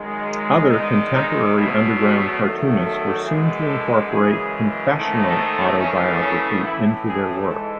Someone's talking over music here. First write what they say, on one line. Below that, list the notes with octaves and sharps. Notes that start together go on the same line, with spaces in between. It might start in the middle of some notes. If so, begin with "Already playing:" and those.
Other contemporary underground cartoonists were soon to incorporate confessional autobiography into their work.
Already playing: F#2 D#3 G#3
E2 D#3 G#3 D#4
D#4
E2 B2 F#3 A3 E4
F#4
E2 D#3 F#3 A3
A4
F#2 E3 G#3 G#4
A4
F#2 C#3 E3 G#3 G#4
G#2 D#3 A3
A4
F#2 C#3 E3 A3 C#4
C#4
A2 E3 A3 E4
G#4
G#2 E3 G#3 A4